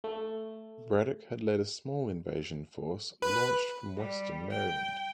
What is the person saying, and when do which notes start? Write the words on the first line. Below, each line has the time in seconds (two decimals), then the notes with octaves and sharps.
Braddock had led a small invasion force launched from western Maryland.
0.04 A3
3.22 B4
3.97 G3
4.50 G5